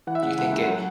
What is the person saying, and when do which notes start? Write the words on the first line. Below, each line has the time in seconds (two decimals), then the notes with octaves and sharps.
Do you think it
0.07 E3 F#5
0.15 E5
0.23 C#3 F#5
0.38 C#2
0.52 C#2
0.68 F#3